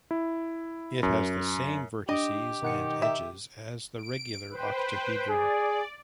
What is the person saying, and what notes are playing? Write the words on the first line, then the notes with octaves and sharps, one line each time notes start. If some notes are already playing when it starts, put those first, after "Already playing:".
It has the same vertices and edges as the regular octahedron.
E4
F#2
D4 G4 D#5 D7
B2 D#3 F#5 C#7
E5
D7
B4 C5 G5
G#4 D5